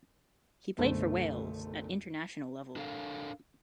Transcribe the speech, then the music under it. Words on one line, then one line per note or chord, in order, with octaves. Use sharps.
He played for Wales at international level.
F#1 B1 D3 A3 C5
D4 A4 A#4 F5